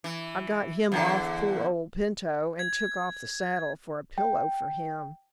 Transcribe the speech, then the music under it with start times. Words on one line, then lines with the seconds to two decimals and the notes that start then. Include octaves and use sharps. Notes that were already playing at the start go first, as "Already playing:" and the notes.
I got him off poor old Pinto, and took off the saddle for a pillow for him.
0.04 E3
0.92 E2 D3
2.59 G#6
4.18 G5